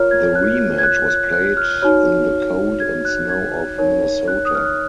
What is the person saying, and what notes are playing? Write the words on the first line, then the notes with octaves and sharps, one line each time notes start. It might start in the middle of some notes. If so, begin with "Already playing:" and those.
The rematch was played in the cold and snow of Minnesota.
Already playing: F4 A#4 C#5 F6
G#6
F#6
G#6
F#6
F#6
F#6
F6
D#4 F#4 C#5 F6
G#6
F#6
G#6
D#4 A#4 C#5
F#6
D#6
F6
F#6